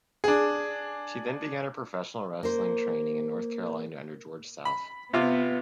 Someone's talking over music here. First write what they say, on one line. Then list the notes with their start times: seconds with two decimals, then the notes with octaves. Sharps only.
She then began her professional wrestling training in North Carolina under George South.
0.24 D4 G#4
2.43 A#3 C5
4.65 B5
5.13 C3 B3 F4